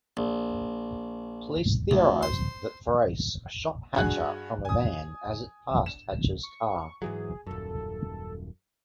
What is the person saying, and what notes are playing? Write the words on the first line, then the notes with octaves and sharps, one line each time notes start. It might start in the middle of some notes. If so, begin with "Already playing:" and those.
Police theorized that Farace shot Hatcher from a van as it passed Hatcher's car.
A#1
D2
C5
G2 F#4 G#4 G#5 F#6
G#5 D#6
E7
C#6
G#2 E3 F#3 G#4
D#1 F#2 A4